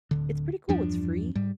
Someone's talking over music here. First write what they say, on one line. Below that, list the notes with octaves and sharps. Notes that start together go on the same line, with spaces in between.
It's pretty cool, it's free,
D1 D3
E2 G2 F3 D4
G#2 G3